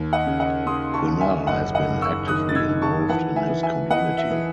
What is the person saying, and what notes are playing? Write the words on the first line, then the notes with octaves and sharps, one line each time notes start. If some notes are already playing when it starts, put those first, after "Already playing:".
Quennell has been actively involved in his community.
Already playing: D#2
D#5 F#5
C#3
D#5 F#5
C#3 C6 D#6
A5 C#6
D#2
E5 G#5
F#1 D#5 F#5
D#5 F#5
F#1
C#6 E6
D#3 D#6 F#6
A6
E6 G#6
D#3
A5 C#6
E3 F#5 A5
E5 G#5
E3
E5 G#5
E3 D#5 F#5
E5
E3